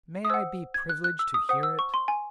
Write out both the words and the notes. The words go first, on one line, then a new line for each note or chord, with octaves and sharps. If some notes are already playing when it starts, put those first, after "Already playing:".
May I be privileged to hear it?
D#6
C5 F#5 E6
G#6
F#6
F#6
E6
D#6
C5 F#5 D#6
E6
C#6
C6
G#5